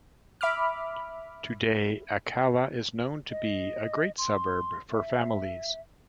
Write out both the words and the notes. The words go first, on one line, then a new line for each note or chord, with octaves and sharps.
Today, Akalla is known to be a great suburb for families.
E5 B5 D6 F6
D#5
C6
E5